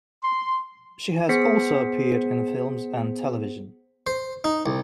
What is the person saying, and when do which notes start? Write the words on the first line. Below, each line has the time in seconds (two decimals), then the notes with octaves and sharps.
She has also appeared in films and television.
0.23 C6
1.29 B3 G#4 C5 B6 C#7
4.07 C5
4.44 D#4
4.66 C2